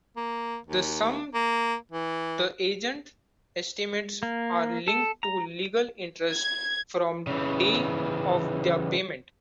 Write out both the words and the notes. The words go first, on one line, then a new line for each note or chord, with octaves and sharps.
The sum the agent estimates are linked to legal interests from the day of their payment.
A#3
D#2
A#3
E3
A#3
A4
A#5
G#6
C#3 E3